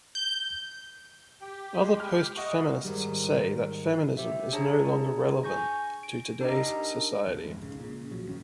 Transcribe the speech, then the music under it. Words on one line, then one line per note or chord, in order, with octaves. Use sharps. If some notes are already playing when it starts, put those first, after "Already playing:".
Other postfeminists say that feminism is no longer relevant to today's society.
G6
G4 G5
G#3
B5 F6
D#5 F#5 C#6
G#2 D#3 G3
G4 C5 E5
D4 G#4 C#5 A5 A#5
G#5 C#6 G6 A#6
D7
D4 D#4 G4 A#4 D#5 A#5
D1 E2
F2 G#2
B1 C#3
A#2 C#3
B1 F3 F#3
A1 F#2 D#3 C#4